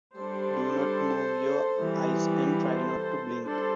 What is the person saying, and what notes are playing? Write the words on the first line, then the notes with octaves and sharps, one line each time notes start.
Do not move your eyes and try not to blink.
G3 D4 A4 C5
E3 G3 B3
A4 C5
G3 D4 A4 C5